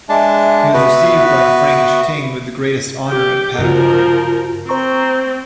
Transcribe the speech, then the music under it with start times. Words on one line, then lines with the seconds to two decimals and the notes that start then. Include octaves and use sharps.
He was received by the Frankish king with the greatest honour at Paderborn.
0.09 G#3 D4 E5 A5
0.74 B3 F#4 B4
3.08 G4
3.59 G2 C#3 F3 F#4 A#4
4.69 C4 C5 A#5 C#6